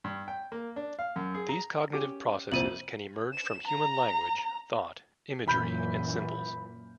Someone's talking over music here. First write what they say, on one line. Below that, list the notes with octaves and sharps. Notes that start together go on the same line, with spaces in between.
These cognitive processes can emerge from human language, thought, imagery, and symbols.
G2
G5
A#3
D4
F5
F#2
G#4
A#5
C#4 G4 D6
C2 F2 A#2 C5 D#7 F#7
E7
A#5
F#2 A#2 E3 B5 G6